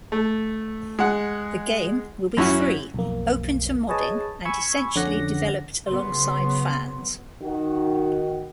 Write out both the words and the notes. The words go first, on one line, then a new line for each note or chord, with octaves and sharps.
The game will be free, open to modding, and essentially developed alongside fans.
A3
G#3 F#5
F#2 C#4 E4 F#4
B1 F2 A#3
G#4 B4 C#5 D#5 A5
G#5 B5 C#6 E6 G#6
F2 D3 C#4 D5 F#5 A#6
C#3 F#3 B3 C6
D#3 F#4